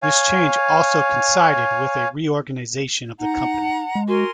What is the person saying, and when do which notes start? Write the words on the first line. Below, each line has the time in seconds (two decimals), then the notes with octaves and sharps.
This change also coincided with a reorganization of the company.
0.02 C#5 F5 G#5
3.19 D#4 F#5 A#5
3.95 G#3
4.08 F#4 A#4 G#5 C6